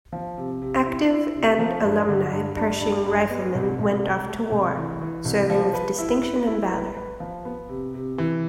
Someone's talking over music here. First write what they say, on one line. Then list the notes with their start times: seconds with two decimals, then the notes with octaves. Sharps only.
Active and alumni Pershing Riflemen went off to war, serving with distinction and valor.
0.13 F3
0.37 C3
0.62 C3
0.86 E4
1.11 E4
1.35 C3
1.59 F3
1.84 G2
2.09 D3
2.32 G2
2.57 G2
2.81 G2
3.06 G2
3.30 B3
3.55 C2
3.79 C2
4.04 A3
4.28 A3
4.51 C2
4.77 E3
5.01 E3
5.25 C2
5.50 F3
5.73 B4
5.98 E4
6.23 B4
6.47 E4
6.71 B4
6.97 B4
7.20 F3
7.45 B3
7.69 C3
7.94 C3
8.18 E3